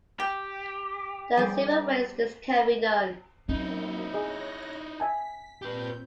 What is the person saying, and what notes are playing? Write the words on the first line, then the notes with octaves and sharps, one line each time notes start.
There are several ways this can be done.
G4 G5
F3 G3 G#4 C5 D5
F#3 A#3 C4 C#4 D#4 E4
G#4 C#5 D#5 F#6 A#6
E5 G#5 A5 B6
A#2 C4 G4 B4 G6